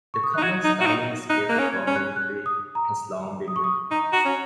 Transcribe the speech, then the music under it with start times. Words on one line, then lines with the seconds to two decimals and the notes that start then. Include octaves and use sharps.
The common starling's gift for mimicry has long been recognised.
0.14 C#6
0.23 D#6
0.34 D#4 F#6
0.43 F#4 G#6
0.64 D#4
0.81 F#4
0.86 D#4
1.29 D#4 F#6
1.49 A#3 F#6
1.58 C#4
1.73 G#6
1.87 C#4
1.95 F#6
2.16 F#6
2.46 D#6
2.75 A#5
3.48 D#6
3.56 C#6
3.64 D#6
3.91 D#4 A#5
4.13 F#4 A#5
4.25 C#4